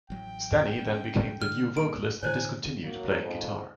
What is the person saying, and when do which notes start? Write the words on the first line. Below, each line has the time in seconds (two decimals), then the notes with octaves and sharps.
Stanne then became the new vocalist and discontinued playing guitar.
0.10 A1 F#3 G5
0.78 C#4
1.42 D3 F6
1.77 G2 A#2 D7
2.23 A2 D3 E3 E4 C5 C#5 G#5
2.84 F#3 A#3 C#5
3.22 F2 G#2